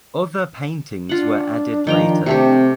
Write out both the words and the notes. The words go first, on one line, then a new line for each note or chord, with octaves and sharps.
Other paintings were added later.
D4 F4 F#5
D#3 F3 G5 A#5
C3 A3 C4 G4